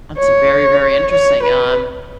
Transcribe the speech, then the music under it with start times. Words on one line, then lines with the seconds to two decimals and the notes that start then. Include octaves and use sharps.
That's very, very interesting, um,
0.18 C#5
1.12 C#5
1.43 B4